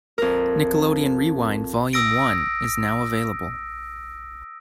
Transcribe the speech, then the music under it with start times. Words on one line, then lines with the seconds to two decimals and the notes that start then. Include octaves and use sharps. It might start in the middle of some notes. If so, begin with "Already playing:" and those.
Nickelodeon Rewind Volume One is now available.
0.18 F2 A#4
1.93 D#6 E6 A#6 D7